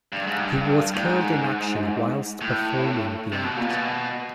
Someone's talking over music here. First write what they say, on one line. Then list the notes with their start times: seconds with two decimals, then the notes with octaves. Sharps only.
He was killed in action whilst performing the act.
0.12 G2
0.27 G#2
0.40 G2
0.94 A2
1.05 G#2
2.41 A2
3.32 C3
3.45 B2
3.57 A#2
3.69 B2